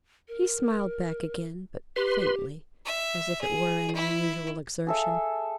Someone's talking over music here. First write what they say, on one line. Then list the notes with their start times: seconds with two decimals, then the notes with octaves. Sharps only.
He smiled back again, but faintly, as if it were an unusual exertion.
0.28 A#4
1.96 G4 B4 C6
2.85 E5
3.41 G#4
3.95 E4
4.87 G#4 A4 E5